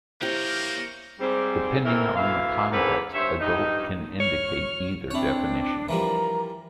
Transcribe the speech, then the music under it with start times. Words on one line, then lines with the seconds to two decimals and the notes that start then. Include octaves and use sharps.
Depending on the context, "adult" can indicate either definition.
0.21 A#3 C4 E4 G4 A#4 C#5 G6
1.20 G#2 G3 C4
1.85 F2 A2 E3 E4 A#4
2.16 D2 E3 E5 F5
2.72 E2 G#2 D3 C4 A#4 B4
3.13 G2 C5 C#5 E5
3.39 G2 D#4
4.20 C#5 F6
5.11 C4 D4 E4 C#5
5.89 E3 F3 G3 A#4 A#5